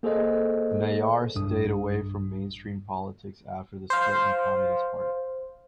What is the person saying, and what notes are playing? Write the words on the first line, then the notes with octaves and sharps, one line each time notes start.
Nayar stayed away from mainstream politics after the split in Communist party.
A#3 G#4 A4 C5 D#5
B1 G2 D#6
C5 F5